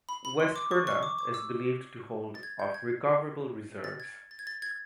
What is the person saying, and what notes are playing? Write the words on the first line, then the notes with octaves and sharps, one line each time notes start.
West Qurna is believed to hold of recoverable reserves.
B5
B5
C6
D6
C#6
C#6
D6
D6
E6
A6
G#6
G6
G#6
A6
G#6
A6
G#6
A6
G#6